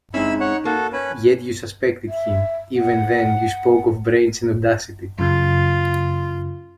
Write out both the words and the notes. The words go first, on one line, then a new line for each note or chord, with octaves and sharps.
Yet you suspected him — even then you spoke of brains and audacity.
G#3 C4 C#4 D#4 E4 B5 E6
C#5 F#5
A#3 F#4 A4
C#4 B4
E5
F#5
F#2 C#3 F4